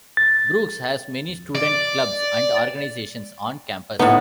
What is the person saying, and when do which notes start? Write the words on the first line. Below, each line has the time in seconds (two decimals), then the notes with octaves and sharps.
Brooks has many student clubs and organizations on campus.
0.17 A6
1.55 D5
3.99 A2 B3 D#4